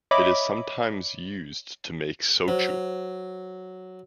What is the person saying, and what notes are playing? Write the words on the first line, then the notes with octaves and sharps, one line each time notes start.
It is sometimes used to make shochu.
C#5 D#5 E5 B5 D6
F#3 C5